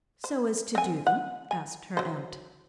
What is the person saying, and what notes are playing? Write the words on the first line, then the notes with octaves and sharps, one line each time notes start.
"So as to do them?" asked her aunt.
C5
C4 G#5
F#5
G#5
F#3 C5